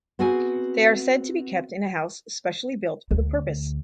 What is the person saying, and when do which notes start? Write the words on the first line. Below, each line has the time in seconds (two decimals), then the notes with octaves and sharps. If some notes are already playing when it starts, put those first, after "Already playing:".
They are said to be kept in a house specially built for the purpose.
0.19 B3 C4 F#4 G#4 G#5
3.11 D2